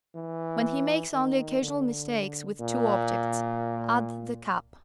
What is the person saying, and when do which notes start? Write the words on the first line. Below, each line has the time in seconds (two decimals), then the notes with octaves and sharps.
When he makes only occasional mistakes with two objects, add the cap.
0.16 E3
1.13 D#3
1.62 D3
2.60 A#2